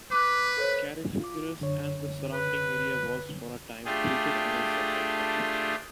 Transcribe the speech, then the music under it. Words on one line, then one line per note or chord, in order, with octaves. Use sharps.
Carrickfergus and the surrounding area was, for a time, treated as a separate county.
B4 D6 F#6
A4 C5 C#5
F4 D6
F#2 D3 C#5
B4
A3 D4 F4 G4 G#4